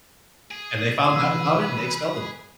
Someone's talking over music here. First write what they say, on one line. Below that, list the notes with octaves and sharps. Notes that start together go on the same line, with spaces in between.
And they found out about it, and they expelled him.
G#4
C3 E3 B4 E6